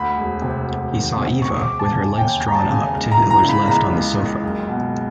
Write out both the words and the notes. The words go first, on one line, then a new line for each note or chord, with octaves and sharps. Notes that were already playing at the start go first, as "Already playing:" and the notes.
He saw Eva, with her legs drawn up, to Hitler's left on the sofa.
Already playing: D2 B5
E1
C3
D2
D#3
C3
E1 C#6
D6
E1
A5
C#3
G#5
G#5
D#2 G5
D#2
A#5
A5
C#3
G#5
C#2
A#5
E3
A#5
C#3
B5
C#2 A#5
C#2
C#2
F#1
B2